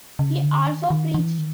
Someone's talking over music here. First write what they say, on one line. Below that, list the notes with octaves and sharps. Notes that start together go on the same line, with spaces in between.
He also preached.
C#3
D3
D#3
D#3
E3
D#3